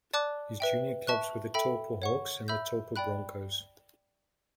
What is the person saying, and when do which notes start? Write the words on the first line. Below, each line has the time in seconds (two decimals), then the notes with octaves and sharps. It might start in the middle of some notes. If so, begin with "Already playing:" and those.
His junior clubs were the Taupo Hawks and Taupo Broncos.
0.13 D5 A5 D6 F#6
0.60 B4 E5 G5
1.07 E5 A5 C#6 F#6
1.54 A4 E5 G5 B5
2.02 C#5 F#5 C#6
2.48 E5 B5 E6 G6
2.96 D5 G5 B5 F#6